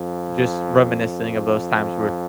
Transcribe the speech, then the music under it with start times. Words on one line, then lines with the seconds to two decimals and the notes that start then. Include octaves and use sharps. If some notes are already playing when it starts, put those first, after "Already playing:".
just reminiscing of those times were
Already playing: F2
0.78 F2